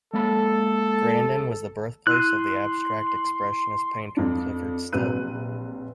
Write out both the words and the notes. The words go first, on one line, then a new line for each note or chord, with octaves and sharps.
Grandin was the birthplace of the abstract expressionist painter Clyfford Still.
G#3 A#3 A4 B5
E4 C6 E6 F#6 D#7
F2 D4
A#1 C3 F#3 B4 F#6 D#7